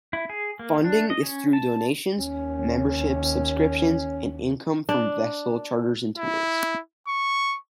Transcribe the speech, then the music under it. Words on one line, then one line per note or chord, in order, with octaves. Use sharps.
Funding is through donations, membership subscriptions and income from vessel charters and tours.
E4
G#4
A#3
D4
D#5
C#4
A5
D#2 C#4
D4
E4
C#6